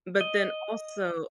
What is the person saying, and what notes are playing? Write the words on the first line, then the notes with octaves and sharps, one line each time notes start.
But then also
D#5